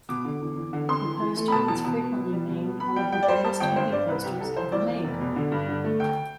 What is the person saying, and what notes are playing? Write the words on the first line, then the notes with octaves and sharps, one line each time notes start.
The poster is frequently named one of the greatest movie posters ever made.
B2 D6
D3
E2
E2
D3
C4 C6
E3
E3
A3
B5
B2 A5
E2 A5
B2 A5
B3
B2
G3
B2
B3
B3 B5
G3 G5
G3 G5
D5
G3 C5
G3 A5
G1 G5
G2 C5
G2 D5
C2 B4
C2 G4
C2 A4
E3 C5
E2 D5
E2
F1
B2
D3
G2
D3
A3
D2 G5